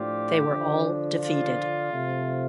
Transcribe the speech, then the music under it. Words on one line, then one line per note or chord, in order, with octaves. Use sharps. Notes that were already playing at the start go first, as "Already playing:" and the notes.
They were all defeated.
Already playing: A2 F3 D4 F4 G4
D3 F3 D4
F4
C3 F3 A3